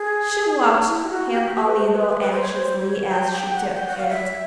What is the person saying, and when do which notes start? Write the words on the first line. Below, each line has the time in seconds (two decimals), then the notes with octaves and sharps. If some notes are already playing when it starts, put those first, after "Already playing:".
She watched him a little anxiously as she took it.
Already playing: G#4
0.88 E4
1.04 G4
1.10 F#4
1.31 G4
1.49 F#4
1.55 G4
1.66 B4
1.76 C5
1.89 C5
1.99 B4
2.10 B4
2.20 B4
2.31 C5
2.42 C#5
2.51 C5
2.79 C5
2.88 C#5
3.09 G5
3.32 G5
3.54 F#5
3.75 G5
3.87 F#5
3.97 F5
4.09 E5